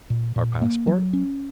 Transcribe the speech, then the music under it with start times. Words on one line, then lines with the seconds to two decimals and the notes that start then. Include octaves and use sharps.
"Our passport?"
0.10 A#2
0.36 A#2
0.62 A#3
0.87 F#3
1.13 C#4